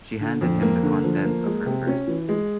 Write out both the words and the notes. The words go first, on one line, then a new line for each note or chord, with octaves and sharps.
She handed him the contents of her purse.
D3
F2
A#3
D3
F3
A#3
G#3
C3
C#4
E3
G#3